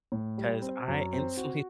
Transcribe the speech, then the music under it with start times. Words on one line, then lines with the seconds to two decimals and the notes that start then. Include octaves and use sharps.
'cause I instantly
0.12 A2
0.38 G3
0.62 C4
0.88 F#2
1.13 C4
1.37 F#4